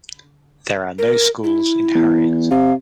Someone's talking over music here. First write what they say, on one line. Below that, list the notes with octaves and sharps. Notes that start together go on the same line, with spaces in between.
There are no schools in Harriet.
A#4
E4
E2
C3 F5